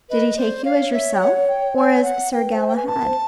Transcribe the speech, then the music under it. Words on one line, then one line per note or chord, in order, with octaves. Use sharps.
'Did he take you as yourself, or as Sir Galahad?'
B4 D#5
C5 D5
D5
C#5 F5
E5
G5
F#5
G5
G#5
F#5
B4 G5
C5
G#5
G5
B4 G#5
A5
A#4
C5